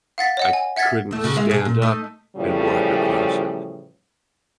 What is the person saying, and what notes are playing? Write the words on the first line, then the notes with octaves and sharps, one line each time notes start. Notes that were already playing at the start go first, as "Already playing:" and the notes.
I couldn't stand up and walk across it.
F5 F#5 A6 B6
C#5 D#5 F#5
G#5
E5 F#5 G#6 A6 B6
E2 A3
C#3 F#4
G#3 E5 F5
B2 G#4
A#2
A3 D#4
A2 C#3 E3 F3 G3